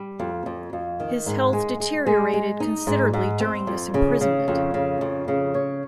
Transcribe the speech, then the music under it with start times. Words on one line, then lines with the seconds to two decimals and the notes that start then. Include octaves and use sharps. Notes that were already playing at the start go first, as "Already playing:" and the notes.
His health deteriorated considerably during this imprisonment.
Already playing: G3
0.20 F2
0.46 F2
0.73 F2
1.00 D#3
1.26 G#2
1.53 G#3
1.80 G#3
2.07 G#3
2.33 G#3
2.60 D#4
2.87 G#2
3.13 G#2
3.40 C4
3.67 F2
3.94 C#3
4.21 C#3
4.48 F2
4.74 C#3
5.01 F2
5.28 C#3
5.54 C#5